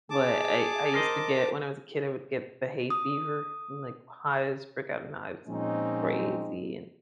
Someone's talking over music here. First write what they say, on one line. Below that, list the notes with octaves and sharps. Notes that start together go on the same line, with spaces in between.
but I I used to get when I was a kid, I would get the hay fever and, like, hives, break out in hives c crazy and
G#4 A5 D6
A#4 C5 D#5
D#6
A#2 F3 G#3 C4 C#4 D#4